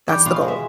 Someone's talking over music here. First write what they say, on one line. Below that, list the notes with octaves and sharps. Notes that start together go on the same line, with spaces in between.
That's the goal
E3 G3 G4 G5
B2 F4 F5
G#3
E5